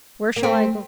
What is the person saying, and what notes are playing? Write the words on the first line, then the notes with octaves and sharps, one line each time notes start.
Where shall I go?
A#3
A3 C4